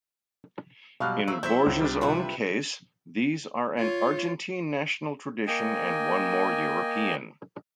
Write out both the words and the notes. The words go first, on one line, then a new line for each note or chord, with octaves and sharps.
In Borges's own case, these are an Argentine national tradition and one more European.
B2 F#3 G3 F5 F6 F#6
F#3 E4 C5
F#3 E4 C5 E5 G6 B6
C#2
G3 D4
C3 E4 F4 B4
F4 C#5
A#3 D#5 G5 G#5